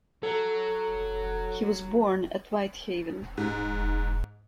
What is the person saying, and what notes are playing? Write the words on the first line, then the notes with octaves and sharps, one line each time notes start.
He was born at Whitehaven.
F#3 A4
G#2